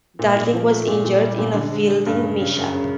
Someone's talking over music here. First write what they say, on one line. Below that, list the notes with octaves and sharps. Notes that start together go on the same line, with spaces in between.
Darling was injured in a fielding mishap.
A#2
A#2
F3
A3
A#2
A#2
G3
A#2
D3
G#3
G#3
G2
C#3
C#3
F#2
C#3